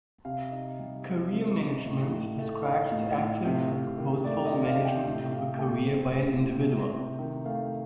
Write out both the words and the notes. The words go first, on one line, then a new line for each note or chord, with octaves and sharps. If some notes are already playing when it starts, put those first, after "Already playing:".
Career management describes the active and purposeful management of a career by an individual.
C3 F5
D#4
G3
C4
C3
D#4
A2
A2
A3
D#4 F5
A2
A2
C3
C3
D#3
A3 D5
D#5
C3
F5
C3
G5
A2 G5
A2 F5
A3 G5
C4
A2
A2
C3
C3
D#3
A3 F5